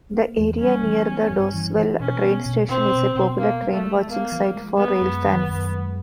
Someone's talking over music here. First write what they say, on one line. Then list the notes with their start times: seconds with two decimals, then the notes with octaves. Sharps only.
The area near the Doswell train station is a popular train-watching site for railfans.
0.13 A#3
0.37 E2
0.59 G3 C#4
0.83 E3
1.06 B3
1.30 G2
1.53 E3
1.76 E3
1.99 B2 C#4
2.22 B3
2.46 B2
2.69 B2 C4
2.92 B2
3.16 B2
3.38 A#3 B3
3.62 G#3
3.73 A3
3.85 G#3
4.09 A#3 B3
4.32 F3
4.54 G#3
4.78 G#3 B3
5.01 F#2
5.24 D#3
5.48 F#2
5.71 G#3